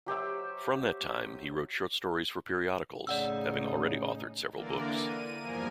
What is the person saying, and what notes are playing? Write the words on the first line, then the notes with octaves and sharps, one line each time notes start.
From that time, he wrote short stories for periodicals, having already authored several books.
F#3 G4 C5 E5
A2 C#3 D#4 D5 F#5 E6
D3 E3 A#3 A#4 D5
D#7
E2 G2 F3 A#3 A#4 G#5